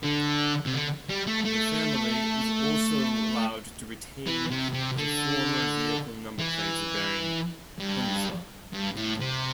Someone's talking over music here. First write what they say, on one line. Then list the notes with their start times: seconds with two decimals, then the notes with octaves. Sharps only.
The family is also allowed to retain the former vehicle number plates bearing 'Hunza'.
0.04 D3
0.66 C3
0.74 D3
1.10 G3
1.27 A3
1.45 A3
4.27 E3
4.50 C3
4.73 C3
4.97 D3
6.39 E3
7.79 G2
8.73 G2
8.97 A2
9.20 C3